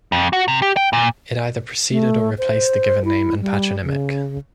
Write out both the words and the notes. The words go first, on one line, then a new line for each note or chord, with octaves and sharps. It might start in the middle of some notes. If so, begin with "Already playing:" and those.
It either preceded or replaced the given name and patronymic.
F2
F#4
C3
G4
G5
A#2
A3
C5
E4
G3
C#3